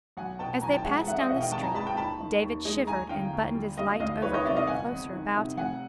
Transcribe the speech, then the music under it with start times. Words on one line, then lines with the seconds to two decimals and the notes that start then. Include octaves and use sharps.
As they passed down the street, David shivered and buttoned his light overcoat closer about him.
0.17 B1 F#5 G#5
0.39 B2 G5 A5
0.62 B1 G#5 A#5
0.73 G5 A5
0.84 G#3 F#5 G#5
1.07 C2 E5 F#5
1.18 D#5 F5
1.29 B2 E5 F#5
1.40 F5 G5
1.52 C2 G5 A5
1.63 G#5 A#5
1.74 G#3 A5 B5
1.86 G5 A5
1.97 D#2 A5 B5
2.20 D#3
2.42 D#2
2.65 G#3
2.87 D#2 G#5 A#5
3.09 D3 F5 G5
3.33 D#2
3.54 G3
3.77 E1 D#5 F5
4.00 D2 D#5 F5
4.22 D#3 B4 C#5
4.34 C#5 D#5
4.45 C3 D5 E5
4.56 D#5 F5
4.67 G1 F#5 G#5
4.90 F2
5.13 D#3
5.36 C3
5.57 F1 F#5 G#5